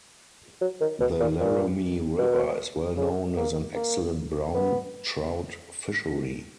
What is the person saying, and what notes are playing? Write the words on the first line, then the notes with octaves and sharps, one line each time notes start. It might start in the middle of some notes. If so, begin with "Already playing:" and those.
The Laramie River is well known as an excellent brown trout fishery.
F#3
D#3
B2
A#2
A#2
B2
C#3
A#3
A#3
B3